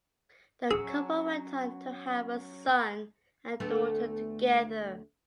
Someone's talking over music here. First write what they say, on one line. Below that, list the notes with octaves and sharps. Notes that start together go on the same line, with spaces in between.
The couple went on to have a son and daughter together.
F#3 C#4 G#4 E6
D2 A3 B3